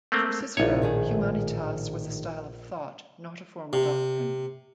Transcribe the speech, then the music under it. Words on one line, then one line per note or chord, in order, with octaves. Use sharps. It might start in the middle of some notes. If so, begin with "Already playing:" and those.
For Cicero, "humanitas" was a style of thought, not a formal doctrine.
A3 A#3 C4
A#1 D#4 E4 G#4 C#5
A2 D#3 G#4
C3